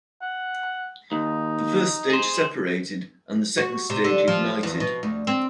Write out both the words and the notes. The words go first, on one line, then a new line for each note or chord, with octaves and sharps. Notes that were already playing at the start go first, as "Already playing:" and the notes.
The first stage separated and the second stage ignited.
F#5
D#2 D#4
G#4 C5
F#4
C3
D3
F3
E2
B2
D2
C4